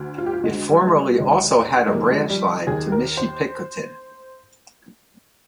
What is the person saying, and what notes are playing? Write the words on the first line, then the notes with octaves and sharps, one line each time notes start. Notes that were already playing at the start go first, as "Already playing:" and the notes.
It formerly also had a branch line to Michipicoten.
Already playing: D2 D3
F4
G4
F4
D2 D3 G#3
G3
G#3
G3
D#2 D3 G#3
G#3
F2 C3 D#3 A#3
G#3
G3
D#2 D#3 G#4
A#4
C5